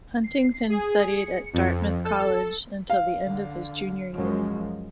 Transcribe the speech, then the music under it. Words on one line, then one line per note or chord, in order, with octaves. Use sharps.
Huntington studied at Dartmouth College until the end of his junior year.
C7
G#4
C#7
F2
A4
F5
D3
F#2 F3 G#3